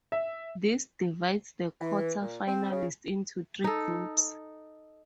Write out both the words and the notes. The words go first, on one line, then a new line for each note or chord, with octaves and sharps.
This divides the quarter finalists into three groups.
E5
E3
A#2
C4
C#3
D#4 A4